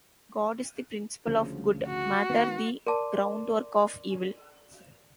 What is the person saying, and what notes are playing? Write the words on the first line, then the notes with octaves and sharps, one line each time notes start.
God is the principle of good, Matter the groundwork of Evil.
D2 C#3 F3
F#4
D#3 B3
A#4 D5 A5 C6 D6